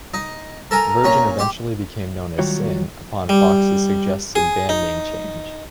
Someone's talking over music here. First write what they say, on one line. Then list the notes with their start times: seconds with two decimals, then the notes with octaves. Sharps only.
Virgin eventually became known as Sin upon Fox's suggested band name change.
0.14 D#4
0.71 A4 A#4 G#5 A#5
1.04 A#2 C#4 C#6
1.39 G4 C6
2.39 D#3 F#3 G3 F4 F#4 C#5
3.29 G3
4.36 G#4
4.69 D#4